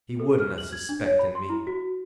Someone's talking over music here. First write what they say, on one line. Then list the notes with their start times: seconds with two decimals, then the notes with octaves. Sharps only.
He would’n ha’ suspect’n me.
0.20 A4
0.40 F6
0.58 F#7
0.73 G#6
0.89 D4
1.06 C#5
1.19 B5
1.35 C6
1.49 E4
1.67 F#4